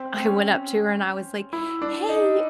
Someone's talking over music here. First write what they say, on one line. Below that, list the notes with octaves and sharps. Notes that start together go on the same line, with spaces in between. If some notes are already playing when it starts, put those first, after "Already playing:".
I went up to her, and I was like, "Hey,
Already playing: C4
C4
C#4
E4
D4
D#4